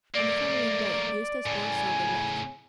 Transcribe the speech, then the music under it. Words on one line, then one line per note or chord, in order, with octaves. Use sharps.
On the following day Eustace Borlsover left.
A3 A#3 D5
A2 C#3 G#5